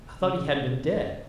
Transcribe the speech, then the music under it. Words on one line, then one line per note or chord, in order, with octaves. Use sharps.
I thought he had been dead!'
C#3